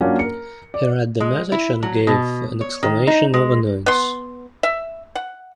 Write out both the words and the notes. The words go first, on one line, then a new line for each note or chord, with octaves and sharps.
He read the message and gave an exclamation of annoyance.
F#3 A#3 C#4 D4 F4 F#5
A#4 C#7
D5
G#3
E4
F#3
B2
C#5
D#3
D#4
G#3
B3 C6
E5
F#5